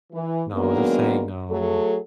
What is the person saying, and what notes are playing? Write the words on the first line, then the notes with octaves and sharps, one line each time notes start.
No, I was just saying, um,
E3
D#3 F#3 G#3 A#3 B3 D4
F#3 A3 G#4 A4